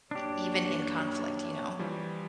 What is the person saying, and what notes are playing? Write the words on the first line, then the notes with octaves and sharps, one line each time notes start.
e even in conflict, you know?
F#2 A#3 D4 G4 C#5
E3 F3 G3